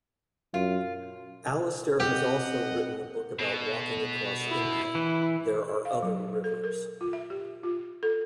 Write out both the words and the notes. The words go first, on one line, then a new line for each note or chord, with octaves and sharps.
Alastair has also written a book about walking across India: "There Are Other Rivers".
F#2 F4
C4 G4 D#5 F#5
B2
E4
E3
F5
F#3
A4
A#4
F4
E5
G4
F4
A4